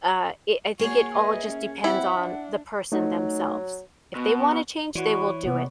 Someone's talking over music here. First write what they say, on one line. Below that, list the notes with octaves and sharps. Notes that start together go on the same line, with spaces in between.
uh, it I think it all just depends on the person, themselves. If they wanna change, they will do it.
A#3 F#4 G#4 C#5 C#6
B4 D#5 E5
C#4
C4 E4 F#5 B5
D4
F#3 A3 D#4 F#4
B2
E3 F#4 B4 C#5 D5
C3 A#3 B3